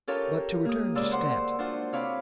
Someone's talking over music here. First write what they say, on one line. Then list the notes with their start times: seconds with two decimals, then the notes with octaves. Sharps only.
But to return to Stanton.
0.07 C#4 F4 G4 A4 A#4 C#5
0.65 A#3 D#6
0.95 C#3 G#3 F4 D5 E6
1.12 C5 D5 F#5 C6
1.59 D4 F4 F#4 C5
1.93 C3 C#5 F5 B5 D6